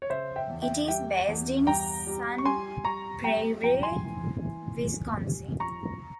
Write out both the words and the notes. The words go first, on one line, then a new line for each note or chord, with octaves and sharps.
It is based in Sun Prairie, Wisconsin.
C#5
C#3 C5 E5
E5 G5
E2
E5 G5
G3 E5 G5
E2
G2 G5 A#5
G3
C#6
G3 G#5 C6
G3 A#5 C#6
G3 G5 A#5
F2 G5 A#5
G#5 C6
E3
E3
F2
G3
F2 A#5 C#6